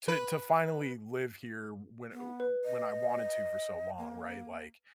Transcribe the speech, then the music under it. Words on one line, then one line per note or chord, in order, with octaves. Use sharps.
to to finally live here when, uh, uh, when I wanted to for so long, right? Like
B4
B3
B4
D#5
A#3